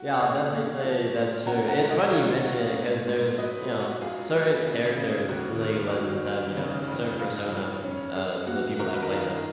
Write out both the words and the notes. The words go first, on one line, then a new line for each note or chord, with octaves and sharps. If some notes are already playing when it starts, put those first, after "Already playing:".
Yeah, I'll definitely say that's true. It's funny you mention it 'cause there's you know, certain characters in League of Legends have, you know, a certain persona, uh, to the people that play them.
Already playing: F#4
F#5
G#4 C#5 F5
A#3
F3
F4
C#4 F#5 A#5
F#5 A#5
C#2
D#5 F#5
C#2 C#5 F5
C#4
G#2
G#2
F#3 B4 D#5
G#2
F#4
F#2 F4 G#4
F#3
C#3
C#3
D#2 F#4
D#3
F#3
D#3
C#3
F2
F2 F4
F2
C#4
G#4
A#3 F#4
D#3 F#4 A#4
B4
A#4
D#4 F4 G#4